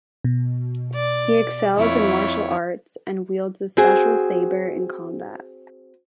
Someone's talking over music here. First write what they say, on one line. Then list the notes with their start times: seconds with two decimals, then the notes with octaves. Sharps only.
He excels in martial arts and wields a special saber in combat.
0.24 B2
0.95 D5
1.77 F2 E4 C#5
3.77 C4 F#4 G#4